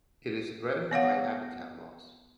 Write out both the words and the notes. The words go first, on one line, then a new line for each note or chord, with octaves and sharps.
It is threatened by habitat loss.
B3 C#5 F5 F#5